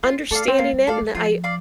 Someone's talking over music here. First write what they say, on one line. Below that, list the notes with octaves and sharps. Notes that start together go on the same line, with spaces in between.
Understanding it and I
A#3 F4
A3 A4 D5 F5
C4
A#3 F4
G3
A3 A4 D5 F5
G3
F3 F4
D5 F5